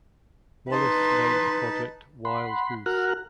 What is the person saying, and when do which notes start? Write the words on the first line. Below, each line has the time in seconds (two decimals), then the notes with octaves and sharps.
Wallis named the project Wild Goose.
0.71 D#4 B4 A5 C6
2.25 F#5 B5 C6
2.86 F#4 A#4 F#5 A#5 F6 F#6